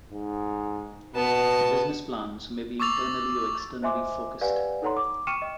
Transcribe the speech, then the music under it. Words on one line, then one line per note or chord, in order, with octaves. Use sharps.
Business plans may be internally or externally focused.
G#2
B2 B3 A5
C#6 D6 E6 A6 F7
C5 D#5 E5 G#5 C6 D6
G4 B4 D5 F5 F#5 G#5
D#4 A4 C#5 F#5 A#5 C6
D6
G5 C#6 F6 C#7 D#7 E7
D#5